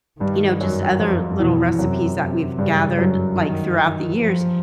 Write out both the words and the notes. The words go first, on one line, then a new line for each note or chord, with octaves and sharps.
you know, just other little recipes that we've gathered, like, throughout the years,
G2 D#3 G3
F#2 F#3
F2 F3
E2 B2 E3
F#2 C3 F#3
C3
G2 C#3 G3
F#2 F#3
D#3
F3